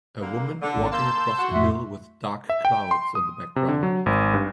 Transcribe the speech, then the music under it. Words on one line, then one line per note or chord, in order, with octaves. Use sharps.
A woman walking across a hill with dark clouds in the background.
G2 D3 A#3
D3
G#1 A4
A#3 A5 C6 E6 G6
F#4
F2 A2 E5
E5
G5
C6
D#6
C3
D3
F#3
G#1
G2